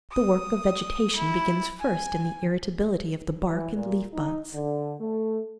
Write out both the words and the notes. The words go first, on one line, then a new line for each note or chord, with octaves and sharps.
The work of vegetation begins first in the irritability of the bark and leaf-buds.
D#6
E4
G#5
E3
A#2
D#4
D3
A3